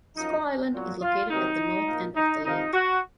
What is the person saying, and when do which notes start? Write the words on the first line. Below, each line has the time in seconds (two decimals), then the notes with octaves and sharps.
Squaw Island is located at the north end of the lake.
0.16 F#2 F3 D#4
0.73 A#2 F#3
1.02 F4
1.30 C3 D#3 F#3 D#4
1.87 A#2 F3
2.16 D#4
2.44 C3 F3 D#4
2.73 F#4